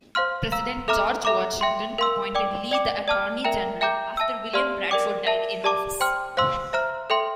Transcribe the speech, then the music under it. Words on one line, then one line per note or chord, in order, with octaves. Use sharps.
President George Washington appointed Lee the Attorney General after William Bradford died in office.
C5 F5 C6 F6
F5 A#5 E6
A4 E5 A#5 D6 F6
A4 E5 A#5 D6
E5 G5 C6
A#4 F5 C6 E6
D5 G5 D6
D5 G5 D6
D5 A5 D6 F6
A#4 E5 G5 A#5
E5 G5 A#5 D6 G6
E5 A5 E6
G4 D5 F5 C6 F6
A#4 D5 G5 D6
A#4 E5 A5
G4 D5 A5 D6
C5 G5 C6 F6
C5 F5 C6 E6
C5 E5 A#5 F6
A4 E5 G5 C6